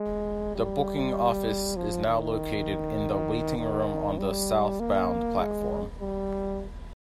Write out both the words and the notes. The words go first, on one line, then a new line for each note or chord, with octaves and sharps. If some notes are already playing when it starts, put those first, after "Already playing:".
The booking office is now located in the waiting room on the southbound platform.
Already playing: G#3
G3
F3
D#3
D#3
G3
A#3
G#3
G3